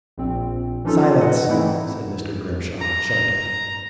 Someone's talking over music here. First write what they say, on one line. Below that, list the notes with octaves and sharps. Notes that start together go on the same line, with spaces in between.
"Silence!" said Mr. Grimshaw, sharply.
A#1 A#2 C4
E3 F3 C#4 D#4 F4 A4
B4 D#5 F#5
G#2 E3 A3 C4 D#4 E4
A#5